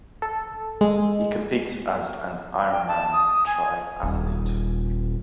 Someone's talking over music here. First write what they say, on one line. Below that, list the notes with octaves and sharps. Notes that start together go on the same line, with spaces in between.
He competes as an Ironman triathlete.
A4
G#3
G5
A5
D#6
G#5
D#1